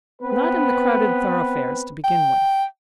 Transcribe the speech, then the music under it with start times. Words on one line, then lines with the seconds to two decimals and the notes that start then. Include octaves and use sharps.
Not in the crowded thoroughfares, to begin with.
0.22 B3 C4 B4
2.04 G5